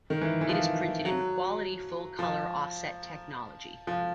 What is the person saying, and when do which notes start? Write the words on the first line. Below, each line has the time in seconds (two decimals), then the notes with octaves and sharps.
It is printed in quality full colour offset technology.
0.10 D#3
0.21 E3
0.41 E3
0.49 F3
1.05 F#3
2.19 F3
3.87 F3